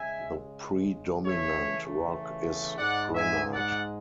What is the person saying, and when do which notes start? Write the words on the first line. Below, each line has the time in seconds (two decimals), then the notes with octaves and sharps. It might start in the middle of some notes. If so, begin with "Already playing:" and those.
The predominant rock is granite.
Already playing: C#3 G#3 E5 G#5
1.26 C#3 E3 A3 C#5 E5
2.78 G#2 G#3 D5 F#5
3.15 E5 G#5
3.53 D5 F#5